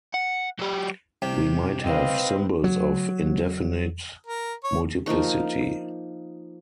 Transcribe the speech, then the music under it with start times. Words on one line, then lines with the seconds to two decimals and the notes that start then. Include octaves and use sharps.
We might have symbols of indefinite multiplicity.
0.14 F#5
0.59 F#3 G4
1.22 C2 C3 G4
1.83 C4 B4 D#5 F5
2.64 F#3
4.27 A#4
4.64 C#5
5.06 F3 A#3 D#4 C#6